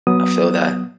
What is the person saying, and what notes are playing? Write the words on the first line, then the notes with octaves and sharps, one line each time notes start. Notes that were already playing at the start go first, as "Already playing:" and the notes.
I feel that.
F#3 B3 D#6